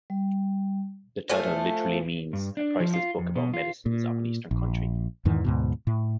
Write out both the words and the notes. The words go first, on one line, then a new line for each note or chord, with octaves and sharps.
The title literally means "a priceless book about medicines of an Eastern Country".
G3
F3 A3 G#5
G2
D4
F3
F4
F2
B2
F4
A#2
A#1
E2 G#2 D#3 E3
D2 G#2 B2
A2